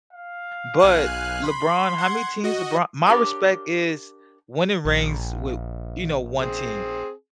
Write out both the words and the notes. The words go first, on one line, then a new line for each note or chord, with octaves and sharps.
But LeBron, how many teams LeBron my respect is winning rings with you know, one team.
F5
B1 G#5 F#6
B5 C6
F#5 G#6
F#4 D#5
D4 G4 A#4 C#5 F5
A#1
C4 G#4